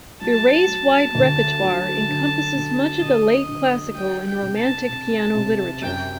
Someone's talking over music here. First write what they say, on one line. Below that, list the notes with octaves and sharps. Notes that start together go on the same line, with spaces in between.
Biret's wide repertoire encompasses much of the late Classical and Romantic piano literature.
F#3 A5
F#3
D2
F#3
D3
D3
D3 D#5
D3
F#3 G5
G5
C3
A5
C3
C3
F#2 G5